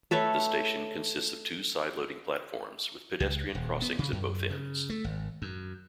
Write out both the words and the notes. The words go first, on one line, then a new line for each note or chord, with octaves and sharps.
The station consists of two side-loading platforms with pedestrian crossings at both ends.
A3 A4 B4 C#5
C#2
D#1
B3
C#3
F#2
C#3
A3
G#1
F#2